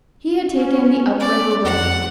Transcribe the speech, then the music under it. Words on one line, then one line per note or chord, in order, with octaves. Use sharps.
He had taken the up-river road.
C#4
D5
F2 F#5